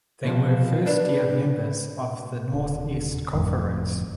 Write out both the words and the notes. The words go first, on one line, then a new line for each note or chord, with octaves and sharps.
They were first year members of the Northeast Conference.
B2 F3
D4 B4 D5
D#1 D3
G1 F2 A2